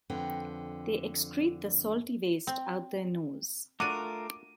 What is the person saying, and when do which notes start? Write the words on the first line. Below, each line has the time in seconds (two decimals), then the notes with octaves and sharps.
They excrete the salty waste out their nose.
0.10 F2 D3 B4 G5
2.47 C4
3.80 A3 D4 F4 F#4 A#4 D6 D#7